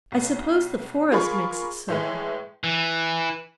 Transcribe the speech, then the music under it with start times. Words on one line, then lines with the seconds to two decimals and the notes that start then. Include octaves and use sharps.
I suppose the forest makes it so.
0.12 B1
1.12 F4 G#4 A#4 B5 C#6
1.88 A2 E3 G#3
2.64 E3